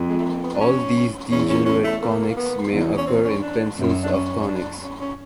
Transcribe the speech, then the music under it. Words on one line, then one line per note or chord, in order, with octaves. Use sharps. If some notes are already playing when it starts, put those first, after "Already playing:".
All these degenerate conics may occur in pencils of conics.
Already playing: F2
G#3
A3
A#3
B3
D4
C#4
E2 C#4
C#4
C#4
A3
A#3
A#3
B3
E2
C#4
C4
C#4
D4
F#2
D4
C#4
C#4
D4
C#4
C#4